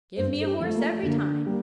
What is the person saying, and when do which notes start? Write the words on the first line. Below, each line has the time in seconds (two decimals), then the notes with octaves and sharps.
Give me a horse every time.
0.17 G2 C5
0.41 A4
0.46 G4
0.60 F3 A3
0.75 A#3
1.03 D3 A#3
1.46 G3 A#3